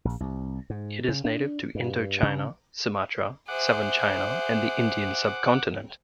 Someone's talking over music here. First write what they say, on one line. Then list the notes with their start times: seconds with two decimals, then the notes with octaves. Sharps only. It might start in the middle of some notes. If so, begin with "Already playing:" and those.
It is native to Indochina, Sumatra, southern China, and the Indian Subcontinent.
0.05 A#1
0.20 C2
0.70 G#2
1.09 C#3
1.25 D4
1.75 G2
2.23 C#3
3.48 G#4 C5 E5 F#5 D6